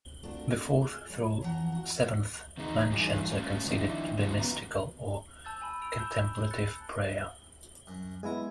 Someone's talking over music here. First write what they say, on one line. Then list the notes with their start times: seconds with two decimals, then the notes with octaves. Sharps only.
The fourth through seventh mansions are considered to be mystical or contemplative prayer.
0.23 A3 C4 D4 F4 F#4 A#4
0.80 G4 G#4
1.09 G3 C#5
1.41 F2 E3 F3 D#4 F#5 A#5
1.72 F#4 F#5
2.58 E2 D#3 G#3 D#4
2.92 E3 F#3 G3 D#4 F#4 G#4
3.30 A3 C#4 F4
3.67 D#3 F3 D4 E4
4.18 D#3 F#3 G#3 E4
4.38 B3 C#4 F4 A#5
5.45 A5 E6 G6 A6
5.62 G#5 A5 B5
5.82 E6 D7 F7
5.99 A5 G6 E7 G7
6.51 F#6 A6 C#7
7.87 F#2
8.23 G#3 B3 E4 G#5 A#5